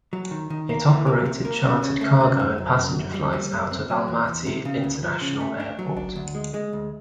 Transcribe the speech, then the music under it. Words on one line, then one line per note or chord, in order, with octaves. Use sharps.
It operated chartered cargo and passenger flights out of Almaty International Airport.
F#3
D#3
D#3
A#3
E3
A#3
C3
A#3
C#3
C#3
A3
C#3
F#2
F#2
F#2
F#2
G3
G3
F#2
C4
F#3
E2
E2
C3
C#3
D2
F3
C#3
A3
D4
F#3
D4
D2
G#3
G#3
D2